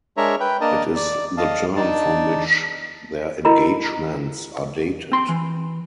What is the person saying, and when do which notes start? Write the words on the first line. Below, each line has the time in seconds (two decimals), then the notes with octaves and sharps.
It is the term from which their engagements are dated.
0.17 G#3 D4 A#4 C#5 E5 A#5
0.40 B4 G5
0.61 A#3 D4 A#4 D#5 A5
0.96 D5
1.38 D#5 F5 A5
1.76 D4 D#4 A5
3.45 E4 F#4 A#4 D#5 A#5 B5
5.12 C4 C6
5.29 E3